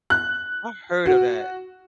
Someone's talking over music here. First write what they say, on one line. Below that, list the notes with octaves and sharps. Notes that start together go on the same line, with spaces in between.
I heard of that
F#6
F#4